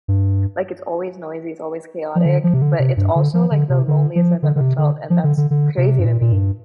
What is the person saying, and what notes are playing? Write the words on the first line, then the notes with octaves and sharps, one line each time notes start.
Like, it's always noisy, it's always chaotic, but it's also, like, the loneliest I've ever felt, and that's crazy to me
G2
F3
D3
F3
C3
D3
C3
G2
D3
F3
D3
C3
D3
F3
D3
D3
C3
D3
F3
D3
D3
D3
C3
G2
A#2
A#2
G2